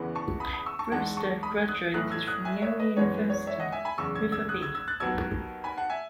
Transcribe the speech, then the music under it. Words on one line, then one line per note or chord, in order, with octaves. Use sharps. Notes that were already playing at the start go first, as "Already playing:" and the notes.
Brewster graduated from Yale University with a B.
Already playing: E2 C#3 E3 B3
A5 C#6
B5 D#6
B5 D#6
C#6 E6
A5 C#6
E2 D#3 G#3 F#5 A5
A5 C#6
B5 D#6
D#6 F#6
B1 A2 E3 A3 D#6 F#6
E6 G#6
D#6 F#6
E5 G#5
C#5 E5
B4 D#5
F#2 E3 G#3 B3 C#5
B4
C#5
C#5 E5
D#5 F#5
E5 G#5
G#5 B5
F#1 E2 C#3 C#6 E6
E6 G#6
E6 G#6
D#6 F#6
E6 G#6
E6 G#6
F#6 A6
D#2 D#3 F#3 B3 E6 G#6
G#5 B5
F#5 A5
E5 G#5